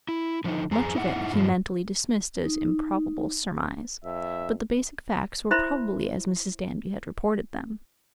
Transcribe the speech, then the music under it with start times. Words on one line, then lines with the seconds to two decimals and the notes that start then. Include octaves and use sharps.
Much of it he mentally dismissed as improbable surmise, but the basic facts were probably as Mrs. Danby had reported them.
0.09 E4
0.44 D3 F3 B3 D#4
0.71 F2 G#4 A#5
0.95 D#4 E4 F#5
1.33 G2 F3
2.45 D#4
4.05 F2 E5
5.51 E4 C5 E5 B5 C6